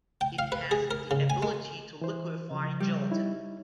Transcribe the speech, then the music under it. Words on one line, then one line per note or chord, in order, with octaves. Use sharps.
It has the ability to liquefy gelatin.
G5
F5
B4
G#4
A#4
C#3
G#5
G#3
E3 C5
C#3 F3
G3
D#4 E4 C#5